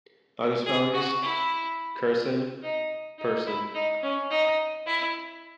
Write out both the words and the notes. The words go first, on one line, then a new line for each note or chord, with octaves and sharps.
"Other spellings": Curson, Pursan.
G#4
F#4
E4
D#4
D#4
E4
D#4
C#4
D#4
E4